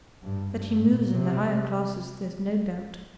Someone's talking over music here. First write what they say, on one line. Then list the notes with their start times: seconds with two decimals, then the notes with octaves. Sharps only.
That he moves in the higher classes there's no doubt.
0.23 G2
0.54 G2
0.84 A#2
1.14 C3